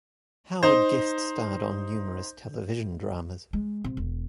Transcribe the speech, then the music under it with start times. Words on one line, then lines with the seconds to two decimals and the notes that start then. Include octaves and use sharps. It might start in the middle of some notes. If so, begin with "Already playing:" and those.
Howard guest-starred on numerous television dramas.
0.63 D#4 C5
3.53 G#3
3.84 C3
3.97 E1